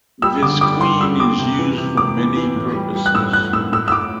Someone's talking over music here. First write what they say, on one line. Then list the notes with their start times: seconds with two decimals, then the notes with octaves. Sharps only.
Visqueen is used for many purposes.
0.22 G3 E6
0.42 D3 D6
0.61 G3 D6
0.81 G3 C6
1.00 G3 E6
1.20 G3 D6
1.39 C3
1.59 E3
1.78 C3
1.97 C3 D6
2.18 E3
2.37 E3
2.56 A2
2.75 G3
2.95 G3
3.06 F#6
3.15 A2 E6
3.33 A2 F#6
3.53 A2 E6
3.72 A2 E6
3.88 E6
3.92 A2 D6